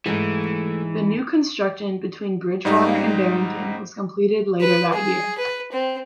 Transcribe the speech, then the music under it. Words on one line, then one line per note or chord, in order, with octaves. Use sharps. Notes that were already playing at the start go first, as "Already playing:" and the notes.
The new construction between Bridgewater and Barrington was completed later that year.
G#2 E3 A3 G#4
G#2 G3 D#4
B4
G#4
B4
C4